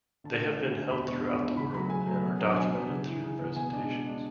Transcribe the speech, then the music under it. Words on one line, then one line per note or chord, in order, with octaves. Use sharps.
They have been held throughout the world, and are documented through the presentations.
D3 A5
A3 C#4
D3
A3 C#4
E2 B5
B2 G#3 D4 C#6
E2
B2 G#3 D4
C#3 B5
F#3 A3 B5
C#3 G#5
F#3 A3
B2
F#3 B3 D4
B2 G#5
F#3 B3 D4
C#3
E3 B3
C#3
E3 B3
B2 G#5
G#3 D4
B2
G#3 D4